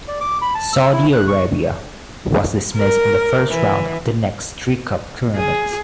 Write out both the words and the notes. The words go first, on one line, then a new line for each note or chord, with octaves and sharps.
Saudi Arabia was dismissed in the first round of the next three Cup tournaments.
D5
D6
B5
A5
E6
E4
F#6
C#6
A#4
E3
G#4